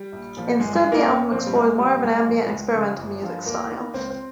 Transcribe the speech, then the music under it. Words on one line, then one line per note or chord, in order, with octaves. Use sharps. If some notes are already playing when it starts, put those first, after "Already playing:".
Instead, the album explores more of an ambient and experimental music style.
Already playing: G3
A#1
A#2 F3
G1 G#3
G#3
G2 D#3
A#3
A#1 C#4
A#2 F3 C4
G3
A#1 G#3
A#2 F3 G3
C2 G#3
A#2 F3
C#2
C#3 F3
G1
G2 F3
D#2 A#3
D#3
C#2 C4
C4